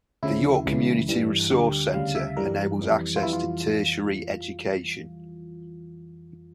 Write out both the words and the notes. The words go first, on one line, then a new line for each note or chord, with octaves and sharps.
The York Community Resource Centre enables access to tertiary education.
D2 C#3 F3 E4
C#2 C#3 E3
G2 E3 G3
D2 D3 G3 G4
D2 C#3 G3 F5
E5
G2 E3 G3 A#4
F2 E3 G3
F4
F2 E3 G3 E4
F4